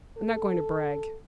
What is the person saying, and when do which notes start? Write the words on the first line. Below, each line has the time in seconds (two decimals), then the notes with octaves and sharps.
I'm not going to brag.
0.18 A4